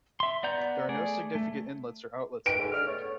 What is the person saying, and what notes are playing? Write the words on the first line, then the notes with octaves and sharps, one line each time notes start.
There are no significant inlets or outlets in the lake.
E5 C6
B3 D5 F#5 A#5 G6
A3 G#4 D5
A3
D#3 B4 G5 D7
D2 G#2
D3 G#3 F6
A3 B3 C#5